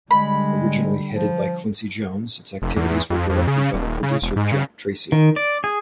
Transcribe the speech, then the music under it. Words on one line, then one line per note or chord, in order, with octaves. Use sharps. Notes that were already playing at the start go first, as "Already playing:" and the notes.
Originally headed by Quincy Jones, its activities were directed by the producer Jack Tracy.
D3 G3 G#3 B5
F3
F1
E2
F2
F2
C#3
D#1
C#3
E1
G#2
C#3
D#3
D5
G#4